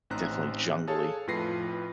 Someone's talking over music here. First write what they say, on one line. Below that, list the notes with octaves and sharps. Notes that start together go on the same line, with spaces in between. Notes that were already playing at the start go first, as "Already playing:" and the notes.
definitely jungly.
A1 C4 D#4 C5 A#5 F#6
G#4 A4 C#5 F5 A5
F2 A2 F4 B4 A#6 C7